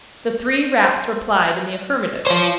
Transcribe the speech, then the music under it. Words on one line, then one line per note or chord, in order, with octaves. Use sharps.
The three raps replied in the affirmative.
C5
F4 C5 C#5 C6